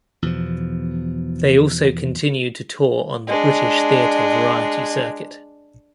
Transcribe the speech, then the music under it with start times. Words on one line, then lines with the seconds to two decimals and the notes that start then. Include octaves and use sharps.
They also continued to tour on the British theatre variety circuit.
0.22 E2 B2 F3
3.27 G#3 D4